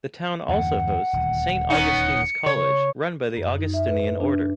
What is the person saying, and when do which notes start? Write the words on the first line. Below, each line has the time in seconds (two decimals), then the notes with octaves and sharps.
The town also hosts Saint Augustine's College, run by the Augustinian Order.
0.49 E2 G2 D3 F#5
1.13 D#1 D2
1.70 B3 C#4 D#4 C#7
2.46 C#3 C#5
3.37 F#2
3.58 D#4
3.74 E5
3.89 B4
4.20 D4